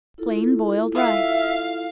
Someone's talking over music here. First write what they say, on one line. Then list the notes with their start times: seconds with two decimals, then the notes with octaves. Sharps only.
Plain Boiled Rice.
0.18 E4 F4 A4
0.96 E5 F5